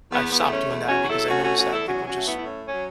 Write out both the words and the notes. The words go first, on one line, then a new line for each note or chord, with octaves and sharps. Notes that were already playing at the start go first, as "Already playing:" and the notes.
I've stopped doing that because I noticed that people just
E2 B3
B3
A3
C#4
E2
C#4 F#4
F#3
F#4
E4 A4
A3 C#4 F#4
C#4 F#4
E2 C#4 F#4
E4 A4
F#3 C#4 F#4
C#4 F#4
A3
B3 E4
E4
A2 C#4
C#4
F#3